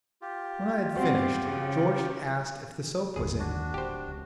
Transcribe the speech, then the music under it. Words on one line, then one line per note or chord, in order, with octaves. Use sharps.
When I had finished, George asked if the soap was in.
F4 G4
B2 G3 C4 F#4 C5
C#3
G1 D#2 G#4
D4 F#4
D1 G4 C5
C#2